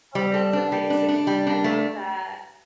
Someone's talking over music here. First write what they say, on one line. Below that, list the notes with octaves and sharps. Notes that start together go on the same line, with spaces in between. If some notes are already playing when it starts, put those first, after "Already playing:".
Oh, that's amazing, I love that.
G3
A4
D4
G3
D4
D4
G3
D4
A3